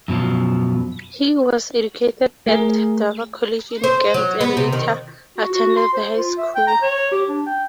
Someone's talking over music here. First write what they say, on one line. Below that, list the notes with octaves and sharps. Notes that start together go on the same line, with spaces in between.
He was educated at Dover College in Kent and later attended The High School.
F#2 B2 E3 F3
A3 G#4 A#4
C5
F#3
B3
C3
D#3
F#4
F#4
C6
C5
F4
E5
G5
A#5
C#5
G4
D4
G5